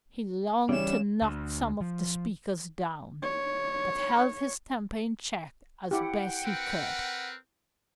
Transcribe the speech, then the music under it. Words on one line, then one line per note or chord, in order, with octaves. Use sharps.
He longed to knock some of the speakers down, but held his temper in check as best he could.
C#3 E3 G3 C#5 E7
D2
F3
C#5
E4 G4 F#5 G5
C4 A#4 B4